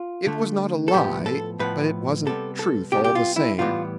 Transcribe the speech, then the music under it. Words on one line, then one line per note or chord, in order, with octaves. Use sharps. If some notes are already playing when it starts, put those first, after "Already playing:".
It was not a lie--but it wasn't truth all the same.
Already playing: F4
D3 A3
A4
A2 F3 B3 G4
A4
A2 F3 B3 B4
C3 G3 B3 A4
A4
C3 G3 B3 G4
G4
F4
E4
A2 E3 G3 B3 F4